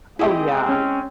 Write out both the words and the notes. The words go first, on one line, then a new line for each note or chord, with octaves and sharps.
Oh, yeah.
G#3 C4 E4 G4 G#4 D#5
C#4